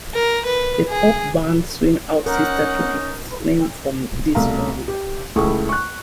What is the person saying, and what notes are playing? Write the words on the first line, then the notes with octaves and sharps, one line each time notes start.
The pop band Swing Out Sister took its name from this movie.
A#4
B4
G#4
C#4 D#4 A#4 F#5
C2 B2 A3 F5 A#5
G4
C#2 A3 E4 G#4 A4 C#6
C#6 F#6